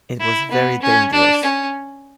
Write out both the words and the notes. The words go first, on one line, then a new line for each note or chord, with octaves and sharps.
It was very dangerous.
E4
B3
C#4
D4
C#4